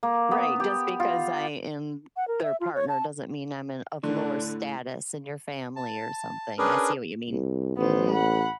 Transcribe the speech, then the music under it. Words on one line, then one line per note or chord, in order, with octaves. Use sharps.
Right, just because I am their partner doesn't mean I'm in of lower status in your family or something, I see what you mean. Mhm.
A#3
B3
G4
F4
F#5
A#4
E5
F4
C#5
A5
A2 D3 D4
A5
C#4 D4 G#4 A#4 B4
C2
A1 B3 C5
F#5 B5